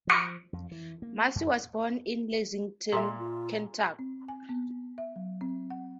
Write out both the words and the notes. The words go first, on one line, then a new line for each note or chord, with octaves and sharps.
Massie was born in Lexington, Kentucky.
F3
F2
E3
A#3
F#2
A#2 G#4 A4 E5 C6
F4
C4
G#5
B3
E5
F#3
C4
F#5